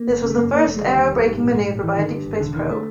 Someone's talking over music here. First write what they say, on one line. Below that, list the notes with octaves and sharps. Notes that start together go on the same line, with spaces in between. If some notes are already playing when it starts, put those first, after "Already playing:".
This was the first aerobraking maneuver by a deep space probe.
Already playing: A#3
G1
C#3
A3
F#2 A#3
G1 A#3
F1 A3
G#3
D3 G3
D#2
F1
G#2
A#1
G#2 G#3
A#1
G#1 E3
D3 D#3
G2
G#1
E1 D3
D3 D#3
A3